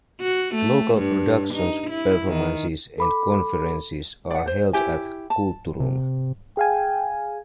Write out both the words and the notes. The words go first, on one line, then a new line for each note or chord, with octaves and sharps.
Local productions, performances and conferences are held at "Kulturum".
F#4
A3
G2
D#4
E4
D#3
A4 B5 D6
D5 F#5
C5
E4 G4 G#5
A5
C3
G#4 F5 G5 G#5